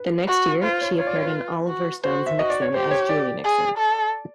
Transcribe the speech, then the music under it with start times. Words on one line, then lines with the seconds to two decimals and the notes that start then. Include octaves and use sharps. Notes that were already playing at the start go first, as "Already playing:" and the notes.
The next year, she appeared in Oliver Stone's "Nixon" as Julie Nixon.
Already playing: B4
0.28 F#4
0.63 F4 C5
0.81 C#5
0.98 F4 C#5
1.07 D5
1.15 C#5
1.24 B4
1.68 F#4
2.04 F#4 C5
2.26 E5
2.39 F#4 D#5
2.50 D5
2.62 C#5
2.74 G4 C5
2.91 C#5
3.09 D5
3.44 G#4
3.78 A4